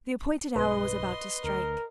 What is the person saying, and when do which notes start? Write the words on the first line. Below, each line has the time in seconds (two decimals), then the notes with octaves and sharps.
The appointed hour was about to strike.
0.56 B1 G2 B4 D#5 C6
1.44 D2 A#4